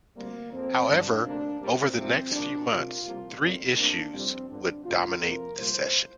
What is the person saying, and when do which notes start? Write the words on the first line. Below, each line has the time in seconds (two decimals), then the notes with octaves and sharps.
However over the next few months three issues would dominate the session.
0.16 D2 C3 G3 A#3
0.52 F2 F3 A#3 C4
0.89 G2 F3 A#3 D4
1.25 D2 C3 A#3 D4
1.60 C2 A#2 G3 A#3 C4
1.97 C2 C3 F3 C4
2.32 C2 A#2 F3 A#3 D4
2.69 C2 A#2 A#3 F4
3.05 C2 C3 F3 A#3
3.41 F2 C3 G3 A#3
3.77 D2 C3 A#3 D4
4.13 F2 C3 G3 C4
4.48 G1 G2 D3 F3 D4
4.85 D2 C3 F3 A#3 F4
5.21 F2 C3 A#3 A#4
5.57 C2 A#2 A#3 C5